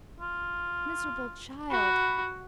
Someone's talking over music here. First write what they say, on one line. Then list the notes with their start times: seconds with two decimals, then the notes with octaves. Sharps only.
Miserable child!
0.21 F4
1.70 F#4 B5